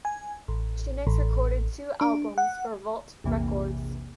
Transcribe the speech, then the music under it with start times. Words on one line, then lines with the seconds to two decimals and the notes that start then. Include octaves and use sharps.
She next recorded two albums for Volt Records.
0.05 G#5
0.48 A1
1.07 A1
2.01 D4
2.38 F#5
3.24 A#1 E2 C3 E3 A#3